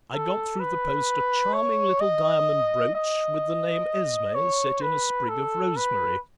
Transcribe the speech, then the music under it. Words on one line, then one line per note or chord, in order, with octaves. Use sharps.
I got through the post a charming little diamond brooch, with the name Esme set in a sprig of rosemary.
A4
B4
C#5
D#5
D#5
C#5
B4
A4
B4